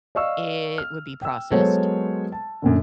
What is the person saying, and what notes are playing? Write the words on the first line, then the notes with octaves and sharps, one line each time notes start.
it would be processed,
D5 D#5 F5 C#6 E6
F6
G5 E6
F#3 G#3 B3 A4 C5 C#5
A5
F#2 A#2 D3